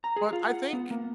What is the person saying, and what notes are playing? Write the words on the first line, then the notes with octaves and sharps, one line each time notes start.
But I think
A#5
G#4
F4
F#5
B3
A#3